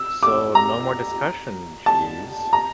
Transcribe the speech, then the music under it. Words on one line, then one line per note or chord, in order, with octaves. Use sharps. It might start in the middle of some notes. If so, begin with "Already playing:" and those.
So no more discussion, Jeeves.
Already playing: E6
D6
A#5
A5
A#5